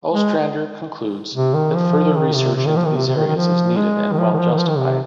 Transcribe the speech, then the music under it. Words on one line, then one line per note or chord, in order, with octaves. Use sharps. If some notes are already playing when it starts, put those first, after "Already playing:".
Ostrander concludes that further research into these areas is needed and well justified.
G#3
C3
D#3
F3
D#3
C3
C3
D#3
F3
D#3
C3
C3
D#3
D#3
F3
G#3
D#3
F3
D#3
F3
D#3
F3
D#3
C3